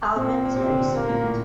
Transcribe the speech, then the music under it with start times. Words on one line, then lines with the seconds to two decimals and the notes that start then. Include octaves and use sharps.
Alvyn is very sweet.
0.16 A#2 C4
0.45 A#2
0.56 C3 C4
0.70 D3
0.83 C3
0.96 A#2 A#3
1.09 A#2
1.22 A2